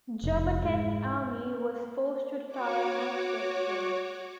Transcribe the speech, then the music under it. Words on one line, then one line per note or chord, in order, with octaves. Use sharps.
German Tenth Army was forced to retire northwestward.
F1
G#2
F#4 C#5 D6